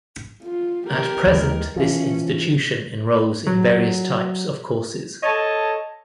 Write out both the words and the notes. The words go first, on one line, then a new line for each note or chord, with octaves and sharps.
At present this institution enrolls in various types of courses.
F4
G4 A#4
D#2 E3 G#3
E3 F3 C#4
F#3
A4 C#5 D#5 A5